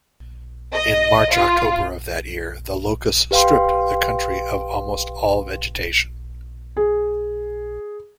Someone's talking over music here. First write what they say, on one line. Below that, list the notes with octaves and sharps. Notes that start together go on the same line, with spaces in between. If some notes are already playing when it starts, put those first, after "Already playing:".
In March-October of that year, the locusts stripped the country of almost all vegetation.
D#5
F4
G4 B4 F5 G5 C6
G#4